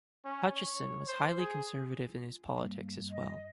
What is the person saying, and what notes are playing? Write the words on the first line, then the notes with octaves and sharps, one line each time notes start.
Hutcheson was highly conservative in his politics as well.
C#4
C#5
C5
G#4
F4
G2 A#3
D#5